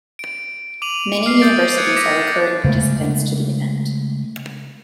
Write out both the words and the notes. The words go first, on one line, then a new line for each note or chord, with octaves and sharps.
Many universities are recurring participants to the event.
D7
D6 D#7 F7 F#7
F6 C7
D#6 G6 A6 D7
F#6 G#6 A6 C#7 D#7
D6 A#6 B6
C#3 G#3 A3